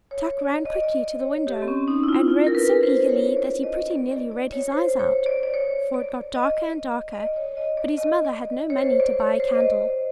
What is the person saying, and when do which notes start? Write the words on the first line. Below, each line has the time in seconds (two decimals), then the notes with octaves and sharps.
Tuk ran quickly to the window, and read so eagerly that he pretty nearly read his eyes out; for it got darker and darker, but his mother had no money to buy a candle.
0.11 C#5
0.39 D5
0.66 D#5
0.75 D5
0.83 D#5
0.93 D5
1.20 C#5
1.47 G4
1.62 C4
1.68 C#4
1.88 D#4
2.04 E4
2.08 F4
2.28 F4
2.47 A#4
2.55 B4
2.83 C5
3.09 C#5
3.37 D5
3.63 D#5
3.91 D5
4.11 D5
4.31 D5
4.52 C#5
4.72 C5
4.88 C5
4.99 C#5
5.26 D5
5.43 D5
5.54 C#5
5.94 D5
6.35 D#5
7.12 D#5
7.17 D5
7.36 C#5
7.57 D#5
7.77 D5
7.97 D#5
8.25 D5
8.70 C#5
8.78 C5
9.00 D5
9.20 C#5
9.40 C5
9.55 D#5
9.60 D5